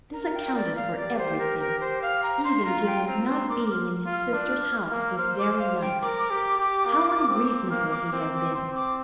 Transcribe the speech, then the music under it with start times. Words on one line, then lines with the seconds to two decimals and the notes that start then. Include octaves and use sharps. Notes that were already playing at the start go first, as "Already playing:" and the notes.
This accounted for everything, even to his not being in his sister's house this very night. How unreasonable he had been!
0.13 A#4 A#5
0.34 G5
0.55 D5
0.76 F5
0.96 G4 D5
1.18 C5
1.38 A#4
1.60 A#4
1.81 C5
2.02 F5
2.23 A#5
2.44 C6
2.65 F4 A#5
2.86 G5
3.07 C4 A#5
3.28 C6
3.50 A#4 D6
3.70 F6
4.06 F4
4.12 F6
4.33 D4
4.89 A#3
5.18 C5 F6
5.39 D6
5.59 F5
5.81 G5
6.02 A#4 D6
6.30 G4
6.58 G4
6.86 A#3
7.28 C4
7.70 A#3 F6
7.91 D6
8.12 C4 D6
8.33 D6
8.54 C4 C6
8.75 D6